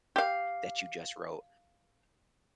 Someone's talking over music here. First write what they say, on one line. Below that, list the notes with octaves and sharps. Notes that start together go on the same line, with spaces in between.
that you just wrote.
G4 F5